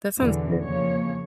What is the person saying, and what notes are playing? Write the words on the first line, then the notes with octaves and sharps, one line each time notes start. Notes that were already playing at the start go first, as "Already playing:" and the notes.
That sounds good.
E2 B2 D3 E3
F2 C#3 F3 A#3 C#5